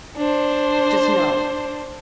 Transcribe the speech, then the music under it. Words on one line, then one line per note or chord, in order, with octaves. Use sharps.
Just, no.
D4 C5